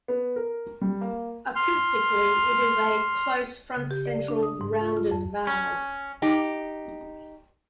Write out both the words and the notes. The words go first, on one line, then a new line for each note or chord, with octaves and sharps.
Acoustically it is a "close front-central rounded vowel".
B3
A#4
G3
A#3
C6 F6
C#3
G4
D5
D4
D#6
G#2
F4
F4
F2
C#4
D#4 G4